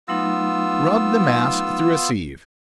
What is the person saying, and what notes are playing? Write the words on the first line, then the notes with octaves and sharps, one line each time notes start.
Rub the mass through a sieve.
F#3 A3 B3 D#4 F4 E6